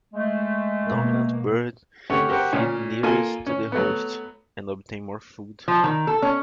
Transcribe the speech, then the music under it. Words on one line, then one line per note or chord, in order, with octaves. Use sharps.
Dominant birds feed nearest to the host, and obtain more food.
G#3 A3
B2 A#3
A3 C#4 G4 C#5 F#5
F#4 G4 A#4 C5 F#5
A#2 C#4
A#3 F4 A4 G#5
C#4
F#3 A3 B3
F3
D#3
A4
C#4